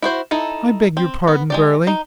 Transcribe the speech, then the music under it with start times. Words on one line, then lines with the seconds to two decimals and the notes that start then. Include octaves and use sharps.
"I beg your pardon, Burly!"
0.02 E4 F#4 C5
0.31 D#4 E4 A4
0.97 C4
1.28 B3
1.50 G#3 G4 D5
1.87 D#4